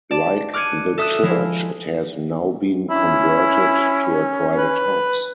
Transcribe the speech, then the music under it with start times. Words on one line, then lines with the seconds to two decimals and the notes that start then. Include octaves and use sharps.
Like the church, it has now been converted to a private house.
0.11 D5 A5
0.53 D6 F6 F#6 G#6 C#7 D#7
0.98 A4 E5 D#6 E6 F#6
1.23 F3 G#3 E4 F4
2.90 C#4 E4
4.58 B4